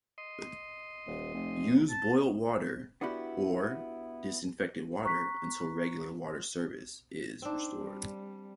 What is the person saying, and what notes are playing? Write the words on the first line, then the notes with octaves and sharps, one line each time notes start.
Use boiled water, or disinfected water until regular water service is restored.
D#5 C6
D#1
F1
A5
B3 D4 E4 F#4 G4
A#5 C#6 F#6 B6
C4 D4 D#4
G3